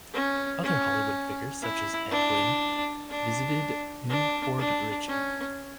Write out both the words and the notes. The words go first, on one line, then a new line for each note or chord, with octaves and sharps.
Other Hollywood figures such as Ed Wynn visited New Port Richey.
C#4
C#4
E4
D4
D4
D4
D4
C#4